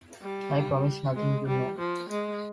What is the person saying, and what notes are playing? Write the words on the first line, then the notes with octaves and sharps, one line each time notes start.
I promise nothing, you know.
G3
G#3
G3
F3
G#3